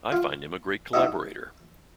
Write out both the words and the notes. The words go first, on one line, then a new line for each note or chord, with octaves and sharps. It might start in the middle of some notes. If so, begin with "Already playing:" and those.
I find him a great collaborator.
F4
D#4 E4 F#4 G4 D#5